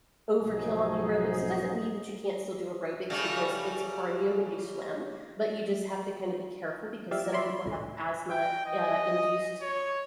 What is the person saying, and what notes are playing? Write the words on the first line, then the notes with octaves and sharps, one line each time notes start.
overkill on the aerobics, it doesn't mean that you can't still do aerobics because it's cardio when you swim, but you just have to kinda be careful because some people have asthma, uh, induced
B1 G#2 F3 F#3 D#4 G#4
C#3 G3 A3
F3 G4 D5 E5 F5
C#5 D5 E5 B5 C6
C#2 A2
G5
D#5
C#5